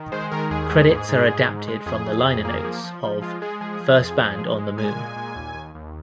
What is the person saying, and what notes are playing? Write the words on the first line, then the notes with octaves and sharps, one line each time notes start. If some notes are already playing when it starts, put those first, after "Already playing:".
Credits are adapted from the liner notes of "First Band on the Moon".
Already playing: D#3
G#3 C5
D#3 A#4
D#2 G#4
G#2
G#2
G#2
G#2
G#2
G#3
F2 G#4
F2
F2
A#3
F3
F3
F3
G#3 F4
G#3 G#4
F3 G#4
F3
F2
F3
G#3
G#3
A#2 G#5
G#3
A#2
D#2
D#2
D#2